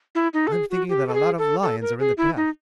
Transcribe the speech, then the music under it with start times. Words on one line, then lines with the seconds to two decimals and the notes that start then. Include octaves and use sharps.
"I'm thinking that a lot of lions are in the path."
0.15 E4
0.33 D#4
0.47 A4
0.52 G#4
0.70 F#4
0.89 G4
1.08 A4
1.14 G#4
1.38 A4
1.62 A4
1.81 A#4
1.99 G#4
2.17 E4
2.36 D#4